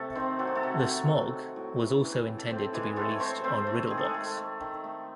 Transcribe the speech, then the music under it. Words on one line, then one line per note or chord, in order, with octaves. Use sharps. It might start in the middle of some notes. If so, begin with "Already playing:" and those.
"The Smog" was also intended to be released on Riddle Box.
Already playing: C3 A3 A4
D#3 C4 C5
F#3 A4
G#4
A3 A4
C3
F#3
F#3
F#3
A2
E3
E3
A2
A4
A2 C4 C5
E3 G#3 G#4
A2 A3 A4
C#5
A2 C4 C5
A3 C4 C5
A3
D#3 G#4
A4
G#3 G#4
A3
A3
D#3
A3